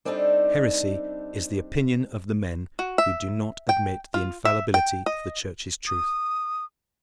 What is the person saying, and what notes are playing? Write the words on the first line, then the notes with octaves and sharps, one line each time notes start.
Heresy is the opinion of the men who do not admit the infallibility of the Church's truth.
G3 C4 D4 D#4 G4 A4
F#4
E5
G5
F4
E5
G5
D#5
D#6